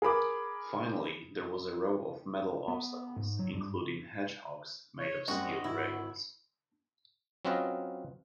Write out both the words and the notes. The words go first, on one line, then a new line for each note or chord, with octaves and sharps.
Finally, there was a row of metal obstacles, including 'hedgehogs', made of steel rails.
G#4 A#4 B5 D6
B3
G#2
F#3
G2
C#5
F#2 G3 C4 F#4 D#5
G#1 E4
F#3 C4 C#4 F4 B4 D#5